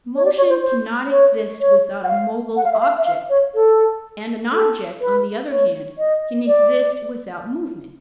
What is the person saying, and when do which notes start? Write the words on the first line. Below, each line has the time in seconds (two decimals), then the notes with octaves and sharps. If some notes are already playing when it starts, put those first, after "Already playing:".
Motion cannot exist without a mobile object; and an object, on the other hand, can exist without movement.
0.16 C#5
0.25 D5
0.37 C#5
0.50 C5
0.62 C5
1.10 C#5
1.60 C#5
2.04 F#5
2.08 F5
2.56 F#5
2.64 F5
2.72 E5
2.80 F5
2.98 E5
3.05 F5
3.30 C#5
3.54 A4
4.52 A4
5.01 B4
5.50 C#5
5.98 D#5
6.47 D5